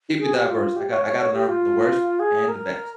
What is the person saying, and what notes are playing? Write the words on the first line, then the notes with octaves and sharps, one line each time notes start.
Keep it diverse, I got I gotta learn from the worst and the best,
G#4
G4
F4
G4
C#5
C#5
C#5
G4
F4
G#4
A#4